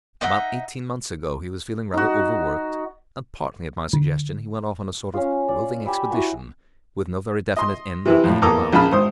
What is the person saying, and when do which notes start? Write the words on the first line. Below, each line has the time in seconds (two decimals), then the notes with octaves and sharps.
About eighteen months ago he was feeling rather overworked, and partly at my suggestion he went off on a sort of roving expedition, with no very definite end or aim about it.
0.21 D#4 D#5 E5 F#5
1.94 D#4 F#4
3.93 D3
5.14 C#4 F4
5.48 D5
5.85 G4 G#5 B5 E6
6.11 E4 F#4 A#5 C#6
7.56 D#5 C6
8.05 C3 E3 E4
8.24 F2 A2
8.42 E2 A#3 A4 A#5 D6 D#6
8.72 A#1 C#3 G#4 A5 B5 F6
8.92 G#1 C5 D#6